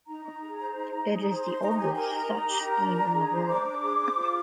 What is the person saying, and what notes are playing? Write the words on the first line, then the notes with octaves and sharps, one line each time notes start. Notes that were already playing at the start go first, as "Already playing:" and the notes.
It is the oldest such scheme in the world.
D#4 A#5
D#4
G#4
C5
D#4
D#4
G#4
C5
D#4 C6
D#4 A#5
A#5
G4 G#5
A#4 G#5
D#4 A#5
D#4
G4
A#4
D4
D4
G#4
C5
D4 D6
D4
G#4
C5
F4